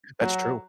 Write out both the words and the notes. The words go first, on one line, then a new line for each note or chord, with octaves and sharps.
That's true.
F#3 F#4